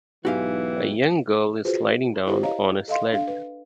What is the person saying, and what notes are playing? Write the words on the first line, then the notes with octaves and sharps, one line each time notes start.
A young girl is sliding down on a sled.
B1 G#2 E3 F#4 G4 F5 G5 G#5
F4 F#4 G#4 B4 C5
E4 G4 C5
C#5 D#5 F5 A#5
A4 D#5 F5 C6
D4 A4 F5
B4